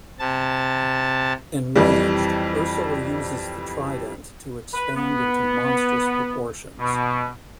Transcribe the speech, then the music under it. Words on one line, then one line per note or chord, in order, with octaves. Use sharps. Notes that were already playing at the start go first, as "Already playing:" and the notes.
Enraged, Ursula uses the trident to expand into monstrous proportions.
C3 A5
F2 E3 G3
B4
B3
B2